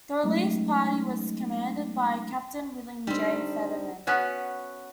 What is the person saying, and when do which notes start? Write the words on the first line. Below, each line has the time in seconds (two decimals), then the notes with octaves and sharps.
The relief party was commanded by Captain William J. Fetterman.
0.24 F#3 G#3 A3 C#4 D#4
3.07 G3 C4 D4 D#4
4.07 B3 C#4 F#4